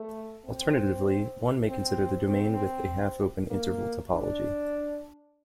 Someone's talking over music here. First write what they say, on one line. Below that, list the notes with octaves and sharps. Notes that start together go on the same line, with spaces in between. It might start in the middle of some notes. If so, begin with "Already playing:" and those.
Alternatively, one may consider the domain with a half-open interval topology.
Already playing: A3
C4
C4
C4
A#3
D4